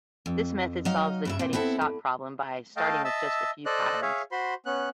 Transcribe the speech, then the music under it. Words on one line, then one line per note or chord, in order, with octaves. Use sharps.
This method solves the cutting-stock problem by starting with just a few patterns.
F2
F#3 D#4 D#5 F5
G2 C#3 E5
A#2 C4
B3 C4 E4 A4
E2
A3 D#5 F5 G5 A5
D#5 E5 A5 E6
A4 C5 D5 D#5 F#6
G#4 C#5 E5 F5
F#4 C5 B5 C6
B3 C#4 F#6